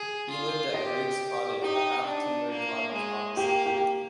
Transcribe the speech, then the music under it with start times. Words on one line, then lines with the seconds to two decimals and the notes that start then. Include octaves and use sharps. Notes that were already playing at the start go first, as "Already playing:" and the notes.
He lived at Grigg's Cottage, a half-timbered cottage opposite.
Already playing: G#4
0.30 F4
0.74 G4 D#5
1.62 D#4 G4
2.05 D4
2.50 A#3
2.93 G#3
3.36 A#3 G4
3.66 G4